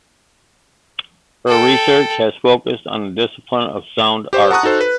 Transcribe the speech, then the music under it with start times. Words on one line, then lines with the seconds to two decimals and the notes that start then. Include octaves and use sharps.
Her research has focused on the discipline of sound art.
1.48 A4 G5
4.33 G4 C5
4.51 F#5 A5 A#5 C#6 D#6 F#6
4.63 D#4 F#4 A4 C5
4.81 B4